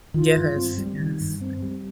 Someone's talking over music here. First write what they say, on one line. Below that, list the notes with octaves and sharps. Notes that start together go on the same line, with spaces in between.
Yes, yes.
D#3 F4
G2
C4
G3
D#3
G2
C4
G3